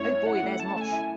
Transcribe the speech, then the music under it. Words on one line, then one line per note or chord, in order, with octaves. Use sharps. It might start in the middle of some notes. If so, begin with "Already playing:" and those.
Oh boy, there's 'Mosh'.
Already playing: F#2 A3 E4 C#5
E4
E4 F#5
A3
A3 A5
A3
G#5
E4